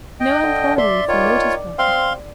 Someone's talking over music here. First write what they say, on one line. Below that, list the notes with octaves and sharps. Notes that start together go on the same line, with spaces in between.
No embroidery for Lotus Blossom!
D#5 G5
D3
D5 E5 C6
D#3 F4 C#5
C4 F5 C6